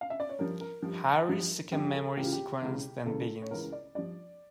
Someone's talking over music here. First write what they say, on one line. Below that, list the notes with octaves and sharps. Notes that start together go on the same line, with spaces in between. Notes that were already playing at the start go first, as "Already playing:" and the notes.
Harry's second memory sequence then begins.
F5
E5
D5
C#5
G2 F3 A#4
A#4
G2 F3
G2 F3
G2 F3 G4
A4
C#2 C#3 E3 G4
F4
G4
C#2 C#3 E3
C#2 C#3 E3 A4
C#5
C#2 C#3 E3 A#4
D5
G2 F3 D5